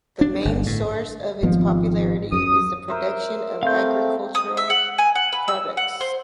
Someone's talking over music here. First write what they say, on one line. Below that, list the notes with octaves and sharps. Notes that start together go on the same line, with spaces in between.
The main source of its popularity is the production of agricultural products.
D4
G1
A2
G#1 F3 B3
F#2 D#6
A#4 C5 E5
A3 C4 F5 G6
D#6
E5
F#5
G#5
F#5
B4
E6
F#5
C5